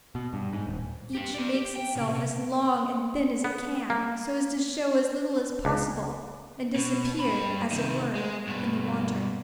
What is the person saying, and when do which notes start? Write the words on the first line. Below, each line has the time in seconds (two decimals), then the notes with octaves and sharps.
Each makes itself as long and thin as it can, so as to show as little as possible, and disappear, as it were, in the water.
0.15 B2
0.33 G2
0.53 G#2
0.67 D#1
1.15 D4 G4
1.34 B4 D5
1.54 G4
1.76 G5
1.95 A#2 C#3
2.14 C3
3.44 B3
3.90 A#3
5.65 C#2
6.76 B2
7.20 G2 B5
7.72 C3 D#3
8.15 G#3
8.47 G2 B2